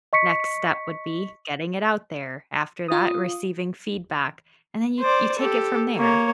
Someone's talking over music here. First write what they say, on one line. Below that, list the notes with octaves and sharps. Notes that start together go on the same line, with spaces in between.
Next step would be getting it out there. After that, receiving feedback. And then you you take it from there.
D#5 C#6 B6 C#7
F4 D#6
C5 D5
G4 A4
A#3 C#5